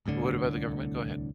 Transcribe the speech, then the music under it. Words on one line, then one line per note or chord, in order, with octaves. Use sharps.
What about the government? Go ahead.
D1 C2 A2 D3